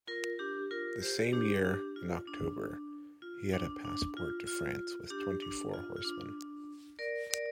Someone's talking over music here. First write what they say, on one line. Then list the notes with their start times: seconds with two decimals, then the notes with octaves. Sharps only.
The same year, in October, he had a passport to France with twenty-four horsemen.
0.08 F4 A#4
0.39 D4 G4
0.71 F4 A#4
1.02 G4 C5
1.33 D4 G4
1.65 D4 G4
1.96 F4
2.28 D4
3.22 F4
3.53 D4
3.85 D4
4.17 F4
4.47 F4
5.10 D4 G4
5.42 D4
5.74 F4
5.96 F4
6.05 D4
6.99 A#4 D5
7.30 A#4 D5